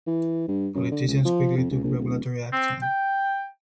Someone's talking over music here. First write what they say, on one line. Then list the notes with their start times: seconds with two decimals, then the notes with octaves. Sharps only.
Politicians quickly took regulatory action.
0.07 E3
0.48 G2
0.75 F#2
0.91 D3
1.07 C#2
1.25 F3
1.57 F2
1.71 C#2
1.84 A#1
1.99 D1
2.52 C4
2.82 G5